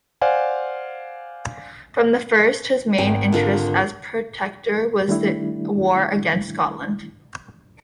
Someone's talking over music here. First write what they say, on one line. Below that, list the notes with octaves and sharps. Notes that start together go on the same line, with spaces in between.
From the first, his main interest as Protector was the war against Scotland.
C5 D5 F5 F#5 G#5
G#1 G5
D3 F4 A#4
D#3 G3 A3 D4 E4